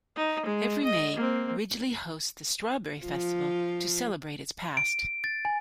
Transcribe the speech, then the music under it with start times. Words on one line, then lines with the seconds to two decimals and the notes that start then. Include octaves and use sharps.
Every May, Ridgely hosts the Strawberry Festival to celebrate its past.
0.16 D#4
0.46 G#3
0.84 D#5
1.16 A#3 C4
3.02 F3 F4
4.77 D7
5.24 A6
5.45 G#5